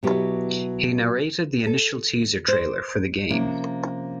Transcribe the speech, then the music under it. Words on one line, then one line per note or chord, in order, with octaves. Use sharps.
He narrated the initial teaser trailer for the game.
B2 F#3 B3 E4 G4
A4
C5
C3 F3 A#3 C#4